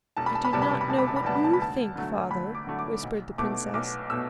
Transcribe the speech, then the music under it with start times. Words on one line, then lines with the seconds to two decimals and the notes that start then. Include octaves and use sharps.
"I do not know what you think, Father," whispered the princess.
0.17 E1 A5
0.26 B5
0.35 A5
0.45 B5
0.53 D2 C3 G3 B3 A5
0.62 B5
0.71 A5
0.81 B5
0.88 E1 A5
0.98 B5
1.08 A5
1.16 B5
1.24 D2 C3 G3 B3 A5
1.34 B5
1.44 A5
1.53 B5
1.60 D2 A5
1.96 D3 F#3 A3
2.31 D2 B5
2.55 D6
2.67 D3 F#3 A3
2.79 D6
3.03 B1
3.38 B2 A3 D6
3.74 B1 D6
4.10 B2 A3 E6